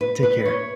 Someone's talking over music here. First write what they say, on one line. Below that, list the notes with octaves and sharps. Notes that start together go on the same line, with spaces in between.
Take care.
B4
B4
C#5